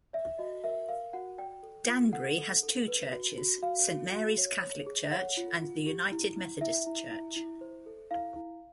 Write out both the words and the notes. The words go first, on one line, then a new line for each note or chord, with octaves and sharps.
Danbury has two churches, Saint Mary's Catholic Church and the United Methodist Church.
D5 E5
F#4 D#5
A#4 E5
A#4 F5
F#4 F#5
D5 G5
A4
F4
A4 F#5
A4
A4
B4
F#4
F#4
F#4 F5
F#4
F#4
C#5
C#5
G#4
C#5 F#5
F4
F4
G4
E4
E4
E4 E5
E4
E4
E4
C5
A4
E4 F5
E4